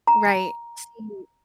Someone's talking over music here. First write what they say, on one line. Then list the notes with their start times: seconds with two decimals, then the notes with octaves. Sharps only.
Right. See,
0.07 A#5